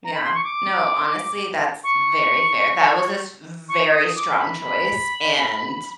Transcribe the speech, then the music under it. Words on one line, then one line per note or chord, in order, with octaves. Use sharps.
Yeah, no, honestly, that's very fair, that was a s very strong choice and
A#5
B5
C6
C#6
D6
C#6
C#6
D#6
D6
B5
B5